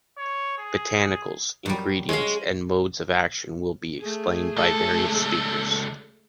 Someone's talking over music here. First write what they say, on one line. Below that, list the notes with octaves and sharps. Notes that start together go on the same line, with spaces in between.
Botanicals, ingredients and modes of action will be explained by various speakers.
C#5
G#4
F#2 G3
G#3 C#5 F5
A3 G#4
C#2 A4